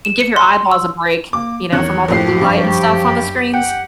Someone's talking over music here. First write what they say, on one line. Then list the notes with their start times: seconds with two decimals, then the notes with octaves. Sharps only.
and give your eyeballs a break, you know, from all the blue light and stuff on the screens.
0.05 E7
0.21 C#7
0.36 C6
0.71 E6
1.33 A#3 D6
1.72 E2 D#3 C#5 F#6
2.08 A#1 F#2 A2 F3 G4 C7
2.41 G2 C#6
3.53 F#5 G5